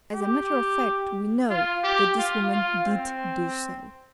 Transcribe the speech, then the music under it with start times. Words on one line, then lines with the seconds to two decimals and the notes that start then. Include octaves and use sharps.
As a matter of fact, we know that this woman DID do so.
0.14 G4
1.50 F4
1.84 G4
2.18 F4
2.52 F4
2.86 C4